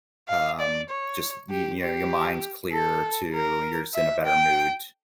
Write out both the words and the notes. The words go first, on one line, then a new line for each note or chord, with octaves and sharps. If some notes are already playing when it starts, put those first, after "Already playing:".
Um, just y you know, your mind's clearer too, you're just in a better mood t
F5
D5
C#5
G4
G4
A4
A#4
E5
G5